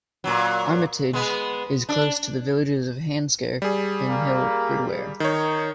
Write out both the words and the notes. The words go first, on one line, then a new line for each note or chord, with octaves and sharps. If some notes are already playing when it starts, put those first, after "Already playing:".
Armitage is close to the villages of Handsacre and Hill Ridware.
A#2 F#3
G#3 B3
D4
G3 G#4
A#3
D#3 D#4 C#5